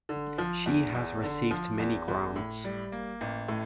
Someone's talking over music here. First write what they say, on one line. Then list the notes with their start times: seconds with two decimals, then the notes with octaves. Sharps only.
She has received many grants.
0.09 D3
0.38 F3
0.66 E2
0.95 E2
1.23 D3
1.51 F3
1.79 E2
2.08 E2
2.36 A2
2.64 G3
2.92 A#3
3.21 A1
3.48 A2